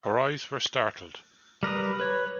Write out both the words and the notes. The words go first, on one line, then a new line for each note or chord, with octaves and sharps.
Her eyes were startled.
G3 A#4 B4 D#6
B4 C#5